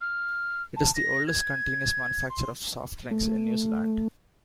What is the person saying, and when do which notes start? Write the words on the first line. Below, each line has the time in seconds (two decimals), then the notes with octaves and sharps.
It is the oldest continuous manufacturer of soft drinks in New Zealand.
0.01 F6
0.76 A5
0.95 A#6
1.27 G#6
2.30 C6
3.11 A3